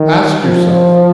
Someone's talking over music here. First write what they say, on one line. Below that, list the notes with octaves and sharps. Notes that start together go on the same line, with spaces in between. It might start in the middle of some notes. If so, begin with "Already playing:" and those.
Ask yourself!
Already playing: D#3
F3